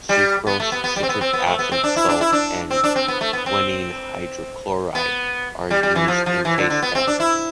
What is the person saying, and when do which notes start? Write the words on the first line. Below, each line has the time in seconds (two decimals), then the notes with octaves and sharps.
Sucrose, citric acid, salt and quinine hydrochloride are used in taste tests.
0.09 G3
0.47 B3
0.60 A3
0.72 B3
0.84 B3
0.96 G3
1.03 C4
1.09 B3
1.21 C4
1.33 B3
1.46 A3
1.59 B3
1.72 C4
1.83 D4
1.96 E4
2.09 D4
2.21 E4
2.33 D4
2.70 C4
2.84 D4
2.96 C4
3.08 B3
3.21 A3
3.33 B3
3.46 C4
4.95 B3
5.71 G3
5.83 G3
5.96 E3
6.08 F3
6.26 F3
6.45 E3
6.58 D3
6.70 D3
6.82 B3
6.95 C4
7.07 D4
7.20 E4